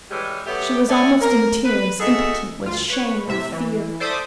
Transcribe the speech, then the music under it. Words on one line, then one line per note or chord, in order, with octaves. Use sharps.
She was almost in tears, impotent with shame and fear.
A2 E3 G3 G#3
F#3 A3 B3 G4
A4 C#5 D5 E5 F#5 G#5
A#4
B4
D#4 F#4 G#4 A4 D#5 E5
D2 F4
B4 C#5
A2 C3 E5
E3
A4 C5 D5 E5 D6 D#6